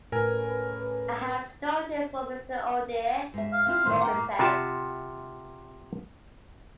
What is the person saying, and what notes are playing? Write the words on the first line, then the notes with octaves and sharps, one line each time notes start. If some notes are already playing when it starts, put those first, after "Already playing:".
"I have no tears for Mr. Odeh," Rubin said.
A2 A3 C#4 A#4 B4 G#5
G#2 E5
F5
C4 E4 F4 F5
A2 D3 D#3 C5
A#3 F#5 G5
A2
C3 F4 F#4 E5 A5